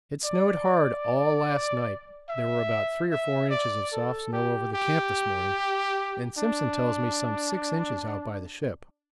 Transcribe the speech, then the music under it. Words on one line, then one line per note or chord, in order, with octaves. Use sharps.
It snowed hard all last night; there were about three or four inches of soft snow over the camp this morning and Simpson tells me some six inches out by the ship.
D5
E5
E5
D5
A4
G4
G4
D4